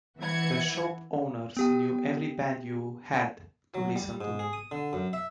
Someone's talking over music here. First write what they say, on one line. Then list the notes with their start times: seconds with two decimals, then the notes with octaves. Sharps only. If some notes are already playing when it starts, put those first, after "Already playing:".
The shop owners knew every band you "had" to listen to.
0.19 E3 E5 F#5 G#6 C#7
1.57 B3 G4 G5
3.75 F#3
3.96 G3
4.21 G#2
4.39 G#4
4.53 D#6
4.71 D3
4.93 F#2
5.13 E5